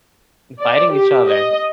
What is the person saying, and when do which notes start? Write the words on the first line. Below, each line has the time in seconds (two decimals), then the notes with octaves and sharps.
fighting each other,
0.60 D5
0.92 G4
1.27 D#5